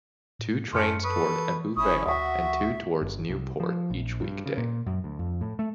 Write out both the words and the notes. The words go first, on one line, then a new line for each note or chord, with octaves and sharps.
Two trains towards Ebbw Vale and two towards Newport each weekday.
A2
F#2 A3 C#4 A5 C6 F6 C#7
A4 B4 C#6 D#6
E3
G1 C#4 E4 C#6 D#6
D2 F#4 E5 F#5 C#6 D#6
G1
C2
F3
A#1
G2
C#3
A#2
F#2
D2
F2
A2
A3